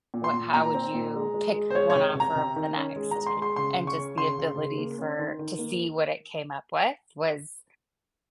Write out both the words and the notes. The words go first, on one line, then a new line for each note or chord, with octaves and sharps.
what how would you pick one offer over the next? And just the ability for to see what it came up with was,
A#2
C6
A#2
A#2 A#5
C4
A#2
G#3
G#3
G#3
C5
G#3 C#5
C#5
C3
C3
A#5
C3
D#3
C#4
G#3
G#3 A#5
C6
G#3
C6
C#3 C6
C#3
C#6
C#4
C#3 C6
C#3
C#3
A#3
C#4
D#3
D#3
A#3